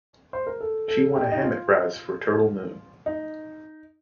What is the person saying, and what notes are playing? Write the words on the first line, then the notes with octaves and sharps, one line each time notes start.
She won a Hammett Prize for "Turtle Moon".
C5
A#4
A4
A4
G4
D#4
F4
D#4